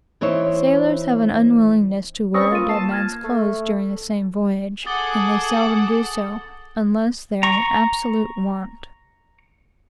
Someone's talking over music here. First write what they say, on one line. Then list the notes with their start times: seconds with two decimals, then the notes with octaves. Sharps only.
Sailors have an unwillingness to wear a dead man's clothes during the same voyage, and they seldom do so unless they are in absolute want.
0.21 E3 C4 D#4 C5 C#5
2.34 C4 C#4 B4 C#6 D#6 E6 A#6
2.52 A#3 F4 A6 D#7
2.69 A5 C7
2.91 F6 G#6 A#6
3.24 A3
4.86 G#4 A4 F#5 D6 D#6 A6 G7
7.43 A#5 C#6